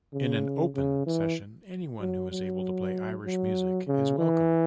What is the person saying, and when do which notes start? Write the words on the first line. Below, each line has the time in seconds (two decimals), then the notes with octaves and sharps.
In an "open" session, anyone who is able to play Irish music is welcome.
0.14 C#3
0.75 C#3
1.07 E3
2.01 F#3
2.32 F#3
3.25 F#3
3.87 C#3
4.18 E3